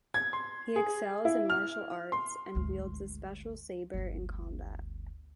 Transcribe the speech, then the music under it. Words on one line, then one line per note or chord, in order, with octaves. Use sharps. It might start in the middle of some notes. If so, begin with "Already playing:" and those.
He excels in martial arts and wields a special saber in combat.
G#6
C6
G#4
E4
F6
C6
G#1 D2
G1 D2